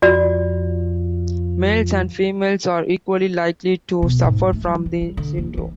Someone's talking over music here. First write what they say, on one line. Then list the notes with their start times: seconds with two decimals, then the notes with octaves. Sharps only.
Males and females are equally likely to suffer from the syndrome.
0.02 F2 F3 F4 F#4 D5
4.02 B2
4.24 G#2
4.39 D#1
4.53 A3
4.64 F#3
4.86 E3
5.01 G3
5.17 D3
5.38 D#2
5.57 E3